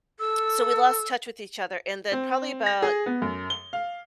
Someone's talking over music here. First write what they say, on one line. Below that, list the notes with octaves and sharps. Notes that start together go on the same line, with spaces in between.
So, we lost touch with each other and then probably about,
A4 E6
C4
A#6
G#4
B3
F#2
G7
F5